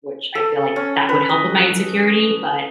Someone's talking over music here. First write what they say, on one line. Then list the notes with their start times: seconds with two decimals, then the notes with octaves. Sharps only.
which I feel, like, that would help with my insecurity, but
0.35 A4
0.76 C#4
1.09 B4
1.29 D#5